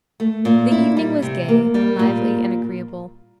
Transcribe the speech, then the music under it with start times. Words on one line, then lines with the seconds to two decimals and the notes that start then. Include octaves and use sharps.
The evening was gay, lively and agreeable.
0.20 A3
0.45 A#2
0.71 E4
0.97 G3
1.22 C3
1.48 A#3
1.74 G3
1.99 A#2